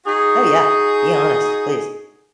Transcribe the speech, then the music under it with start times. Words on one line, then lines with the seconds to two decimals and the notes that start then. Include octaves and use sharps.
Oh, yeah. Be honest, please.
0.07 D#4 F#4 G#4